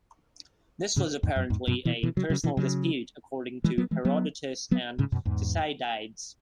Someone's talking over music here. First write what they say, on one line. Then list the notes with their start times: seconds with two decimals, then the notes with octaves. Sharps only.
This was apparently a personal dispute, according to Herodotus and Thucydides.
0.96 G#2 C#3
1.23 E2 G#2
1.36 F#2
1.50 E2 G#2
1.67 F#2 B2
1.85 B2 E3
2.03 B2 E3
2.17 C#3 F#3
2.30 C#3 F#3
2.43 B2 E3
2.57 C#3 F#3
3.64 E3 G#3
3.78 F#3 B3
3.91 E3 G#3
4.05 F#3 B3
4.71 F#3 B3
4.98 G#2 C#3
5.12 F#2 B2
5.25 E2 G#2